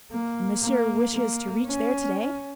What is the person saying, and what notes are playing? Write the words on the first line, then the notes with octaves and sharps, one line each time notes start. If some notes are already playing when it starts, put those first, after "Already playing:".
"And Monsieur wishes to reach there to-day?"
A#3
A#3
A#3
C#4